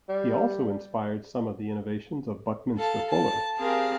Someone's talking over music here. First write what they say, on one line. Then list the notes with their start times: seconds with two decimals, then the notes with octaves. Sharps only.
He also inspired some of the innovations of Buckminster Fuller.
0.09 G3
2.76 A4 F5 A5
3.10 A5
3.59 C4 G4 G#4 A#4 F5 A5